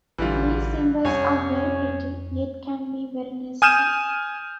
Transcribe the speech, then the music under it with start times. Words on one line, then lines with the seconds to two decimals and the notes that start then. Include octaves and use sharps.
These cymbals are very pretty, yet can be very nasty.
0.18 A1 D3 E3 G3 F4
1.05 C2 F2 C#4 C#5 G#5
3.62 G#5 D#6 F6 G6 D#7 E7